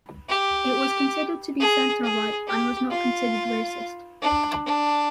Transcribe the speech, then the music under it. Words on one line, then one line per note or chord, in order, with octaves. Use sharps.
It was considered to be centre-right, and was not considered racist.
G4
G#4
G#4
G4
F4
D4
D4